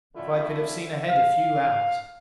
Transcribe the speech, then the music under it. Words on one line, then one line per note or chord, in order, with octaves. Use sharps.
If I could have seen ahead a few hours!
D3 F3 A3 C#4 E4 D5
E5
F5